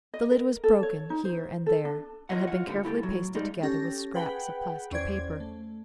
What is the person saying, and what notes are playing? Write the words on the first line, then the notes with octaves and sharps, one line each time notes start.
The lid was broken here and there, and had been carefully pasted together with scraps of plaster paper.
D#5
A#4
A4
C#5
D#4
C5
A4
D4
F4 C#5 D#5 F#5
F4 F#5
G#2 D3 G4 F#5
C#2 E4 G4 A4
A2 F#3
G2 G3 G#3 D#4 G4
C#4 G4 A4 A#6
G#4 B4 F#5 G5 B5
E2 C#4 C5 D5 G#6
A3